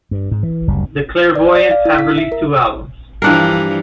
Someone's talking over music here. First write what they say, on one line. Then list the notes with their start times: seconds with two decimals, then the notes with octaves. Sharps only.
The Clare Voyants have released two albums.
0.11 G2
0.31 G#2
0.43 E3
0.68 F#1 D2 G3
1.36 D5
1.56 D5
1.71 F5
1.85 E4
1.99 B6
2.18 E5
2.32 A#4
3.22 G2 E3 F3 D4 A#4